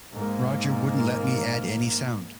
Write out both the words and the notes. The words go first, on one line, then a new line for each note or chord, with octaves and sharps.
Roger wouldn't let me add any sound.
G#2 A#3